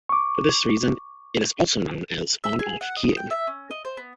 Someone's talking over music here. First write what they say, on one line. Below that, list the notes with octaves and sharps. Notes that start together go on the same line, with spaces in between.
For this reason it is also known as "on-off keying".
C#6 D6
E5
G#4
F#5
D#5
G5
E5
C#4
D#5
C5
B3